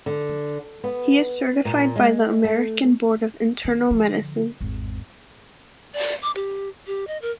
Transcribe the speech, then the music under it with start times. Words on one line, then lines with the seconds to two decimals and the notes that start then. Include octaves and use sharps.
He is certified by the American Board of Internal Medicine.
0.06 D3
0.84 B3
1.65 A#2
1.96 G#3
2.45 A3
3.65 D#3
3.91 D3 F3
4.61 G#1 E2
5.94 D5
6.22 D6
6.36 G4
6.87 G4
7.07 D#5
7.22 A#4